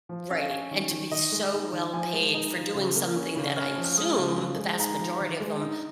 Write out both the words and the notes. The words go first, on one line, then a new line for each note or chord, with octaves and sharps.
Right, and to be so well paid for doing something that I assume the vast majority of them
F3
C#4 F5
C#4
D#3
D#3
D#3 D#5
G#3
D#4
D#3
F3 G#5
G#3
D#4
F3
C#3
A#3
C#4
C#3
C#4 F6
F3
F6
G#3 D#6
C#3
F3
G#3
D#4 A#5
F3
D#3
G#3
D#4